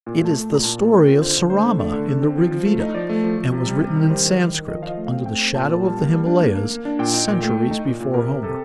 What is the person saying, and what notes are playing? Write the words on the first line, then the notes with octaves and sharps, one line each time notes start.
It is the story of Sarama in the Rig Veda, and was written in Sanscrit, under the shadow of the Himalayas, centuries before Homer.
A#2
A3 A5
A3
A#2
A#5
A#2 A5
A3
C4 A#4
F4
D3 C5
D3
A3 C5
D3
A3 D5
D3
D3
C4
F3
F3
A3
D#4
F3 D5
A3
F3
F3
C3
G3
C3
D#3
G3 C5
D#3
D#3
D#3
F3 D#5
F3 F5
D#5
A3
C4 F5
A3 G5
C4
A#2 A5
A#2
G3
A#3
G3
D4
A#3
A#3
A#3
D4
A#2 G5
D#4
A#2
A3
A3
D#4
A#2
A#2
C3 A#4
C3
C3 A4